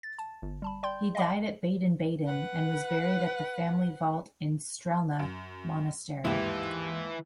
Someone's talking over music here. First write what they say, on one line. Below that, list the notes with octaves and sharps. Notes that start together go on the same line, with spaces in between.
He died at Baden-Baden and was buried at the family vault in Strelna Monastery.
A6
A5
G1
G3 A5 B5
D5 G5 C6 G6
D#5 F5 G5 B5 D6
B4 F#5
F#2
G1 D#2 G#2 E3 E4 G4